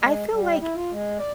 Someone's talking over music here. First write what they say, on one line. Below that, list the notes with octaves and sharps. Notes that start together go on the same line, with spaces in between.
I feel like
G#3
G3
E4
F4
G#3
D5